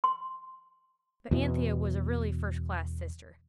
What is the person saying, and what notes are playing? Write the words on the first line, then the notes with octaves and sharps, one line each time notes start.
But Anthea was a really first-class sister.
C6
E2 B2 E3